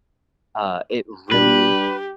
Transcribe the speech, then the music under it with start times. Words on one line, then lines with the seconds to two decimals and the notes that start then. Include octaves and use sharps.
Uh, it really
1.31 G3 D4 G4 B4